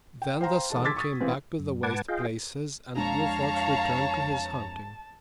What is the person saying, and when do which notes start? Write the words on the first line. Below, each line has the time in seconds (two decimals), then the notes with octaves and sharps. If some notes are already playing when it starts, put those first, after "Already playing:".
Then the sun came back to the waste places, and Blue Fox returned to his hunting.
0.22 G5
0.41 C5 F5 G5 A#5 C6
0.70 E1 D#4 A4 A5
0.84 C6 D6 E6 G#6 A6 B6
0.96 C#6 D#6 A6
1.20 A#2 E3 B3 C4
1.59 F#2
1.83 G#2 B4 F#5 A5 D6 G#6
2.08 F4 G#4 D#5 F5 G5
2.97 F2 G#3 D4 C#5 F5 A5 A#5